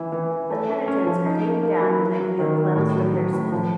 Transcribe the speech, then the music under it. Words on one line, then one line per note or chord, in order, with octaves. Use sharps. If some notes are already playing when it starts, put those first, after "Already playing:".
The penitents are taken down when they feel cleansed of their sin.
Already playing: E3 E4
E3
E4
A3
A3
C#4
F3
D#4
A#3
A#3
F#3
F#3
F#3
D#3
D#3
A2
F#3
F#3
A2
F3